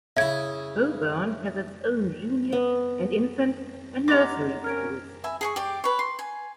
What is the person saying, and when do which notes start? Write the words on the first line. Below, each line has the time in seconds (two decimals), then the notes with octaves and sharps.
Bowburn has its own Junior and Infant and Nursery schools.
0.17 C#3 E4 E5 G#6
2.52 B3
4.08 B3 D#4 G4 A#5 C6 D6 A#6
4.64 C4 C#4 A#4 F6 G#6 D7
5.24 B4 E5 G#5
5.41 G#4 G#5 C#6
5.56 G4 D5
5.84 B4 C#5
5.99 C6
6.19 G#5